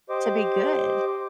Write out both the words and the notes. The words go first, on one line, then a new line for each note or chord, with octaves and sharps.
to be good,
G4 C5 D#5 D6